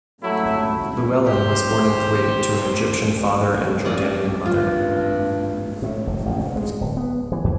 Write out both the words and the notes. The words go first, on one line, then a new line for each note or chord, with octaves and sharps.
Llewellyn was born in Kuwait to an Egyptian father and Jordanian mother.
F#3 A3 E4
G4 C5
C#4 D5 D#5
G2 F4
A2
F1
A1
D2
G#3
D1
B3
E3
E2